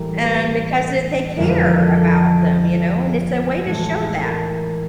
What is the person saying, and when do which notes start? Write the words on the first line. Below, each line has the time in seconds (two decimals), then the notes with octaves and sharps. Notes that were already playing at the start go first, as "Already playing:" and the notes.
and because it they care about them, you know, and it's a way to show that.
Already playing: A2 E3 G3 A#4
0.22 B4
1.37 F2 D3 F3 G#3 A#4
1.51 B4
1.66 A#4
1.80 A4
1.90 G#4
1.95 A4
3.09 G#4
3.59 G#4
3.65 A2 E3 G#3 A4
4.04 G#4
4.14 A4
4.24 A#4